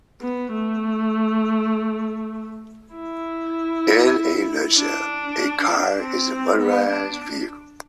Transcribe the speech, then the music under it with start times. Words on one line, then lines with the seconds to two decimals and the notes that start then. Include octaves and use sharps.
In a nutshell, a car is a motorized vehicle.
0.21 B3
0.52 A3
2.95 E4
4.77 D4
5.99 C4
6.59 B3
6.90 D4